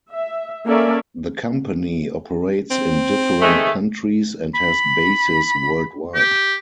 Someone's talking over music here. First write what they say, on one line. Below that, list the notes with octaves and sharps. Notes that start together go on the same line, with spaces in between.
The company operates in different countries and has bases worldwide.
E5
A#3 C#4 A4 A#4 D5 E5
C4
D#3 G#3 A3
B5
G4